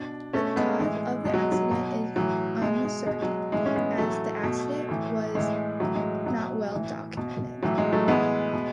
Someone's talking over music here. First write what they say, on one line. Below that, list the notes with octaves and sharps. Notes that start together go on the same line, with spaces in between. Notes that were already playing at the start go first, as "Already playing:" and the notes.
The cause of the accident is uncertain as the accident was not well documented.
Already playing: B2 D4
B2 A3 C#4
G#3 B3
A2 E3 G#3
B2 G#3
F#3
F#3
B2
A2 E3 F#3
B2 G#3
G#3
B2 G#3
F#3
A2 E3 G#3
C#4
G#3 B3
A2 E3 F#3 A3
B2
A2 E3
A2 E3 G#3
A2 E3 F#3
G#3
B2 F#3
A2 E3
B2
A2 E3 F#3
G#3
F#3 A3
A2 E3 G#3 B3
B2